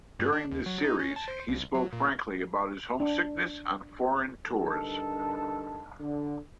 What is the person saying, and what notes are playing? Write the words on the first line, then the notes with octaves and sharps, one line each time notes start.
During this series, he spoke frankly about his homesickness on foreign tours.
G2
D4
D#2
F#3
D#4
C#4
A5
C5
C2
F#3
A#2
D4
G2 D3 D#4 A4 A#4 A5
D3